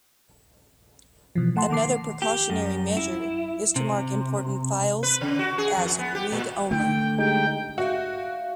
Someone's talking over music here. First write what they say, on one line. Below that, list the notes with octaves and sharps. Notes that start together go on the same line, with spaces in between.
Another precautionary measure is to mark important files as read-only.
B2 E3 F3
A3 F#5 A5 C6
D#3 A#3 D6 C7
G4
F#2
E4
C3
B4
C#3
F#4
G#4
F2
B3
G4
A#2
D3 A3 G5
G#3 D#4 G4 G5
F#4 E5 F5